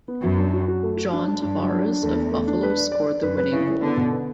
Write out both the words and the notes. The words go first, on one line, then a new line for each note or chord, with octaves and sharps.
John Tavares of Buffalo scored the winning goal.
B3
F#2 F#4
D4
F#4
F#4
A3
F#4
D4
D4
G2 D4
F#3
D4
D4
E2 A3
A3
A3
D4
B4
D5
D5
D5
F#2 B4
B4
C#3 E4
E4
D3 B3
B2
B3